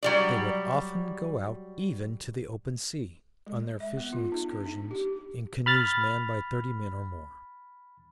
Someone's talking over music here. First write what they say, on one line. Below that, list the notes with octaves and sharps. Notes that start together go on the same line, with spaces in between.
They would often go out even to the open sea on their fishing excursions in canoes manned by thirty men or more.
F#3 G3 D5
G#3
E5
B3
F4
D#4
D4
D#4
G4
B5 F6 A6